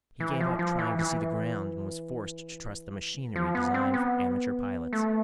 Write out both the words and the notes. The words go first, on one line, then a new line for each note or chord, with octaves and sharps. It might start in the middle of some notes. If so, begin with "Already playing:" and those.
He gave up trying to see the ground and was forced to trust the machinery designed for amateur pilots.
E3
F3
F3
E3
E3
F3
B3
C4
B3
A3